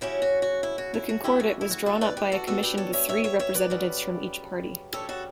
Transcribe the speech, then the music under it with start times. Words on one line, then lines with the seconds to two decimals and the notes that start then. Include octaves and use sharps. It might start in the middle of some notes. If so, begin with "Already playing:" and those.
The Concordat was drawn up by a commission with three representatives from each party.
0.01 C#3 F#3 C#4 E4 G4
0.22 F#4
0.42 F#4
0.63 E4
0.78 F#4
0.94 E4
1.09 F#4
1.24 D2 C#3 E3 A3 E4 G4
1.40 F#4
1.61 E4
1.71 F#4
1.86 F#4 A4
2.01 B4 D5
2.17 G4 B4
2.32 F#4 A4
2.47 B2 G3 B3 D4 F#4 A4
2.63 G4 B4
2.78 A4 C#5
2.93 C#5 E5
3.09 C#5 E5
3.24 C#5 E5
3.39 C#5 E5
3.55 B4 D5
3.70 F#2 C#3 G3
4.93 D2 C#3 G3 A4 C#5
5.09 F#4 A4